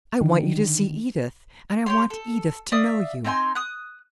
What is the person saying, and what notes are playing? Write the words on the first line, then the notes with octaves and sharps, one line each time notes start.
'I want you to see Edith; and I want Edith to know you.
D3 D#3
G4 C#5 C6
A4
D5 E5 F5 D#6
C4 D#4 G#5 C6
D#6 F#6